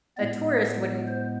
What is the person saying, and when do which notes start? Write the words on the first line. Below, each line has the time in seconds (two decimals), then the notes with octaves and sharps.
a tourist wouldn't
0.17 A2 G#3 B3 D5
0.77 D5
1.08 C5